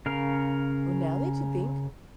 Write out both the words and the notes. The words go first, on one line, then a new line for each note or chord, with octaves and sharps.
Oh, now that you think,
C#3 A#4 F5